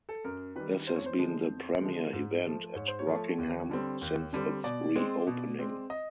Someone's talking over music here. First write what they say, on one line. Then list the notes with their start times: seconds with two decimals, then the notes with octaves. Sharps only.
This has been the premier event at Rockingham since its reopening.
0.09 A4
0.24 F#2 A#4
0.56 D#3 G3 B4
0.87 F2 C5
0.96 C#5
1.06 C5
1.18 D3 F3 G#3
1.49 F2
1.81 D3 F3 G#3
2.13 G#2
2.45 F3 A3
2.75 G#2 C#5
2.88 C5
2.99 C#5
3.07 F3 A3
3.38 D#2
3.69 D3 G3 C4
4.01 D#2
4.33 D3 G3 C4
4.64 B2 D5
4.95 G#3 C4
5.27 B2
5.59 G#3 C4
5.90 D#5